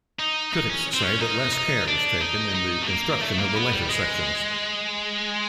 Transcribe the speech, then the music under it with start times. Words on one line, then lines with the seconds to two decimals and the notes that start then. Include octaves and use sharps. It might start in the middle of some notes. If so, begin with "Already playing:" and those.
Critics say that less care was taken in the construction of the later sections.
0.19 D#4
0.53 D#4
0.69 C#4
0.94 C4
1.02 C#4
1.20 D#4
1.53 D#4
1.88 D4
2.21 D#4
2.55 D#4
2.82 A3
2.88 A#3
3.21 A3
3.38 A#3
3.55 B3
3.72 G3
3.90 G#3